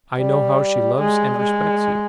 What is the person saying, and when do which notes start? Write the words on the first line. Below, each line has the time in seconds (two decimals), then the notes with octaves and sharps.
I know how she loves and respects you.
0.18 G3
0.99 G#3
1.38 G#3